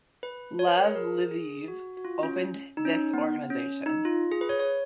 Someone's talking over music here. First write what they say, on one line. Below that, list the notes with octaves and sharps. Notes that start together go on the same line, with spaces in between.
Lev Leviev opened this organization.
B4
C#5
B4
A#4
G#4
A#4
G#4
F#4
F#4
F4
C#4
D#4
C#4
D#4
B3
C#4
D#4
F4
G#4
B4
C#5
C#5